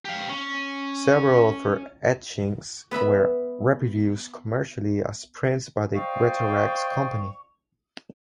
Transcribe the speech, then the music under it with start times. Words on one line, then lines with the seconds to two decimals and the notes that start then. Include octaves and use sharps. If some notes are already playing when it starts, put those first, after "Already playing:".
Several of her etchings were reproduced commercially as prints by the Greatorex company.
0.05 G4 F5
0.29 C#4
2.91 B3 B4 E5 B5
5.95 C5 D5 D#5 F5 G5 C#6